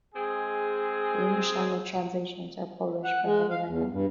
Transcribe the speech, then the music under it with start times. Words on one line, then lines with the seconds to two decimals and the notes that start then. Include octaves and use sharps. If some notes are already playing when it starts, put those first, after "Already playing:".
The English language translations are published by "Heavy Metal".
0.15 G#3 C4 G#4
3.04 F#5
3.25 G#3
3.50 F5
3.68 E2
3.92 G2